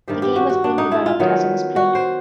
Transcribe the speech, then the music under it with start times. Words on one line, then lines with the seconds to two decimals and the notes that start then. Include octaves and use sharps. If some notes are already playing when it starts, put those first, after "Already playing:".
The game was being developed as it was played.
0.07 G2 D#3 G3 C4 G4
0.22 G4
0.36 F#4
0.50 F#4
0.64 D4
0.78 D#4
0.92 E4
1.06 F4
1.20 D#3 F#3 B3
1.76 F#4
1.95 C5